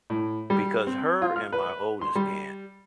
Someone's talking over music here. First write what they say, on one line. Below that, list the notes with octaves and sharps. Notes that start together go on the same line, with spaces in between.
because her and my oldest aunt
A2
G3
C4
F4
F6
B4
C6
G3